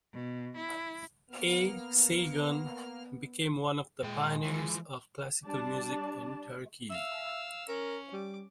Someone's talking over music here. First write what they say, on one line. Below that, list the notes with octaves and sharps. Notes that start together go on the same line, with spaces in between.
A. Saygun became one of the pioneers of classical music in Turkey.
B2
E4
A#3 B3 F6
A#2 G#3 G5
E3 F3
G3 D4 D5 A5
E5 F5 E6
C#4 A#4
G3 D6